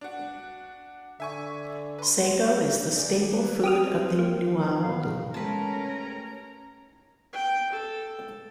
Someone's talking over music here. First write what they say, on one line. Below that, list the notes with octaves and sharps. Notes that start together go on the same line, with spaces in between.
Sago is the staple food of the Nuaulu.
D4 F#4
D3 E5 G#5 C#6
B4 C6
D#3 G#4 D5
G3 A#3 B4
C4 G4 D#6 F6
A#3
A2 B3 F5
G#3 A3 C#4 G4 A#4 B4 A5 A#5
G5
A4